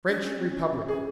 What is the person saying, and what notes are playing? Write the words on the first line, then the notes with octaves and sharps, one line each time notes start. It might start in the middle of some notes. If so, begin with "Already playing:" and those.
"French Republic."
D4
C#4
C4
C#4
C#4 G#4